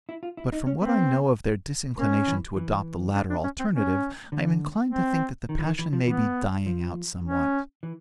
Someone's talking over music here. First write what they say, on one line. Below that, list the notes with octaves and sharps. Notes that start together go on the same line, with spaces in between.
But from what I know of their disinclination to adopt the latter alternative, I am inclined to think that the passion may be dying out somewhat.
E4
F4
E4
D#4
C#4
B3 C4
A#3 C#4
E3
E3
D4
D4
C#4
C4
C#4
D3
C4
D#3
E3
D#3
E3
F3
E3 B3
F3
C#4
E3